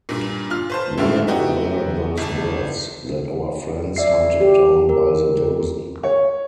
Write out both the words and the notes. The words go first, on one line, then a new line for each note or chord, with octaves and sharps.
Where were those birds that our friends hunted down by the dozen?
G2 A#2
F4 F6
B4 C5 A5
F#2 A2 D3 A3 F4
A3 B3 D#4 E4 F#4 G4
G1 A5
D5 E5 C7
G4
A#4
C#5